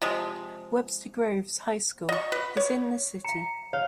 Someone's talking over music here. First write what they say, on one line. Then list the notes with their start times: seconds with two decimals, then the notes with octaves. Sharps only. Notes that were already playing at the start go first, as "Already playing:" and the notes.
Webster Groves High School is in the city.
0.02 C3 F3 G#3
2.09 D#5 C#6
2.32 B4
2.57 C#5
3.24 F5 A#5 C#7
3.73 C#5 F5